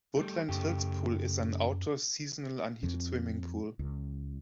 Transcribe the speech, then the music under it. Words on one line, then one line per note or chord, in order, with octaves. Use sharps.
Woodland Hills Pool is an outdoor seasonal unheated swimming pool.
G3 A3
F#2 C#3 A3 G4
F2
C#2